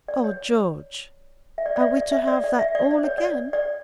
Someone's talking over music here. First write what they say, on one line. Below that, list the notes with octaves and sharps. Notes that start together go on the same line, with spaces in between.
"Oh George, are we to have that all again?"
D5
C#5
E5
D5
D5
E5
D5
E5
D5
D5
E5
D5
D5
C#5
D5
D5